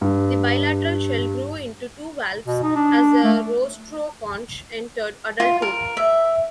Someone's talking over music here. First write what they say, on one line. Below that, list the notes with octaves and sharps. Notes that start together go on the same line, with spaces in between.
The bilateral shell grew into two valves as the rostroconch entered adulthood.
G2
B2
D#4
D4
A3
F4
A#4
E5